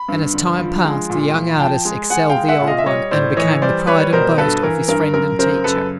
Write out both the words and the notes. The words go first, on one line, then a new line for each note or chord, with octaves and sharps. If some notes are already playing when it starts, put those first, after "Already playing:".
And, as time passed, the young artist excelled the old one, and became the pride and boast of his friend and teacher.
Already playing: B5
G2
D3
F3
G#3
A#2
F3
F3 G5 A5
G#3
G#3 F#5 G#5
F5 G5
G#3
E5 F#5
A#2
D#5 F5
E5
G3 C#5 D#5
A2 C5 D5
E3 C#5 D#5
G3 C5 D5
G3 B4 C#5
B2 A#4 C5
G2 A4 B4
E3 A#4
G2 A#4
F#2 A#4
C#3 A#4 C5
F#2 A4 B4